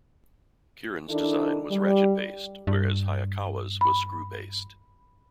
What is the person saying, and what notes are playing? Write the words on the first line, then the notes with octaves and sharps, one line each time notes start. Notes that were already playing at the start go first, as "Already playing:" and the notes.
Keeran's design was ratchet-based, whereas Hayakawa's was screw-based.
D#3 D4 E4 A4
G3
G2
B5